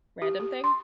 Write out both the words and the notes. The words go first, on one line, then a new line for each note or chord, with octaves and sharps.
random thing?
G4
G4
C6